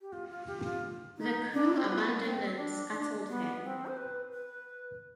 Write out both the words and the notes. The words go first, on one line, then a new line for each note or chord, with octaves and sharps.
The crew abandoned and scuttled her.
G4
F4
F4
G4
F4
D#4
D4
C4
B3
D4
C4
D4
D#4
D4
B3
C4
C5
B4
B4